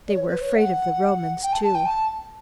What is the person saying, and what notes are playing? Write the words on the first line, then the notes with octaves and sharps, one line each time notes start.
They were afraid of the Romans too.
D5
C#5
B4
C#5
F#5
G5
A5
A5
G5
A5